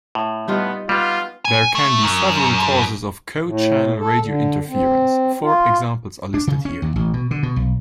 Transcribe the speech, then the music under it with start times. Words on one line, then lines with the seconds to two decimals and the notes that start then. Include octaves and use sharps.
There can be several causes of co-channel radio interference; four examples are listed here.
0.15 A2
0.48 G3 B3 D#4 F4
0.89 G3 B3 F4 B4
1.45 G#5
1.75 A3
2.03 F#2
3.44 A2
3.99 A4
4.23 D3
4.68 C4
5.42 F4
6.34 D4
6.47 C#3
6.65 C#4
6.82 D#2
6.96 A1
7.13 B2
7.31 D3
7.43 B2
7.56 B1